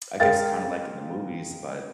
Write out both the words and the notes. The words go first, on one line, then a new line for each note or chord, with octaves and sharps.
I guess kinda like in the movies, but
G#3 A#4 F5 G5 A6